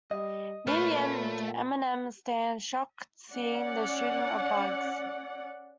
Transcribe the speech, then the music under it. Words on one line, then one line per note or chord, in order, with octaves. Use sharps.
Near the end, Eminem stands shocked seeing the shooting of Bugz.
G3 D#5
A#2 A3 B4 C#5 F5
C#4 D5 F#5